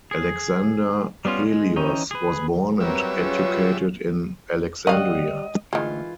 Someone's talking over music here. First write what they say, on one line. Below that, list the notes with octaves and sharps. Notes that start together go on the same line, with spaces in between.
Alexander Helios was born and educated in Alexandria.
G#4
G3 B3 C#4 F4
G#3
E3 C#4 D#4 G5
G#4 B4
F#3 G3 C4 A#4 B4 C#5 E5
C#4 F4 G#4
G3 C#4 D#5 F5 F#5
D2 D#3 E3 G#3 F4